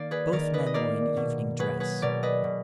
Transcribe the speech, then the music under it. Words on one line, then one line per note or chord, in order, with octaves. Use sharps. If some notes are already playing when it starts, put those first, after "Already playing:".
Both men were in evening dress.
Already playing: D#3 A#3 D5
G#4 B4
D#3 A#4 D5
B4 D#5
D#5
A#3 A#4 D5
B2
F#3 G#4 B4
G#4 B4
B2 A#4 D5
B4 D#5
B2